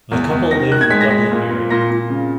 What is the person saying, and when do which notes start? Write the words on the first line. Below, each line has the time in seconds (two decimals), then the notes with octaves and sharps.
The couple live in the Dublin area.
0.11 E2
0.31 E2
0.51 D#3 A#6
0.71 D#3 F#6
0.81 G#6
0.90 G#3 B6
1.01 A#6
1.11 G#3 B6
1.31 A#2
1.51 A#2
1.70 A#2 A#6
1.90 A#2
2.10 C#3